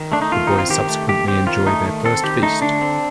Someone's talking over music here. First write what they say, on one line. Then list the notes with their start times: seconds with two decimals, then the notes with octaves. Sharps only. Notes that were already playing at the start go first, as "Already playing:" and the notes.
The boys subsequently enjoy their first feast.
Already playing: D#3
0.12 A3 D4
0.22 D#4
0.32 D#3 F4
0.47 C4 D#4
0.58 F4
0.69 D#3 G4
0.89 A3
1.09 D#3 G4
1.28 C4 G4
1.47 D#3 F4
1.66 A3 D#4
1.85 D#3
2.05 C4 A4
2.23 D#3 G4
2.42 A3 D#4
2.62 D3 D4
2.81 C4